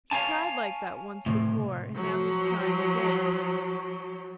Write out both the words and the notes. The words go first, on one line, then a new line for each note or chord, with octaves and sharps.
He cried like that once before, and now he's crying again!
C#5 F5 G#5 A5
A2 C3
F3 F#3